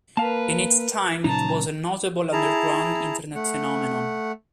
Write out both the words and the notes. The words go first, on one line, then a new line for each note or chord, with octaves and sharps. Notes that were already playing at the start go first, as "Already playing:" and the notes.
In its time, it was a notable "underground" Internet phenomenon.
A#3 A#4 B4 F5 A5
A#2 C#3 F#3 D#4 A5 A#5
E4 G#4 A5 A#5
A3 F#5